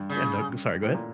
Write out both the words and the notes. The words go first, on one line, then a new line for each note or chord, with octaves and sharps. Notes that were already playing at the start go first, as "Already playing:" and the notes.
yeah, no, g sorry, go ahead.
Already playing: G2
C#3
A2
A#2